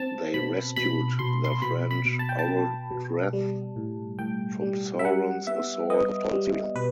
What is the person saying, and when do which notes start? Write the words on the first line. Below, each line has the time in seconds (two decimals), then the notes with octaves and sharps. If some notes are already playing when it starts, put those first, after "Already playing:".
They rescued their friend Orodreth from Sauron's assault at Tol Sirion.
Already playing: C4 A5
0.34 B2 B5
0.76 B2 B5
1.19 B2 C6
1.45 C6
1.62 B2 B5
1.91 B5
2.05 B2
2.19 A5
2.29 G5
2.39 A5
2.48 B2
2.91 B2
3.33 G3
3.76 A2
4.19 A2 G5
4.61 G3
4.99 E5
5.04 G3 F#5
5.47 B3 E5
5.90 B3 D#5
6.32 G3
6.75 B2 B4